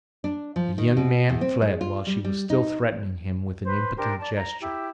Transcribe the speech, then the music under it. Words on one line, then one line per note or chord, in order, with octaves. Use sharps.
The young man fled while she was still threatening him with an impotent gesture.
D4
F3
D#3
B2
E2
C4
G#3
F4
G3
G3
D#4
B4 C5
D4 G4 A#4 C5
D5 A5
A#5
E4 G4